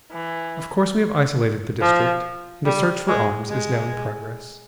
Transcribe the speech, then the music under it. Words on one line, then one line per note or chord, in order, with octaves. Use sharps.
Of course, we have isolated the district, and a search for arms is now in progress.
E3
F3
G3
G#3
G#3